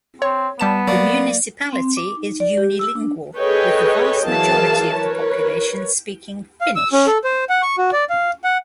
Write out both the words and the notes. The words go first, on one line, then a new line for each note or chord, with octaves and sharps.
The municipality is unilingual with the vast majority of the population speaking Finnish.
C4 C#5
G3 B3 A5 E7
F#3 A#3 D5
C4
D6
D#4
D5
G4
E6
D4
G#4 A4 B4 C#5 D#5 G5
E3 F#3 G#4 A#4 F5 A5
A#4 B4 C#5
F5
E6
C#4
A4
C5
F#5
C#6
F#4
D5
F5
F#5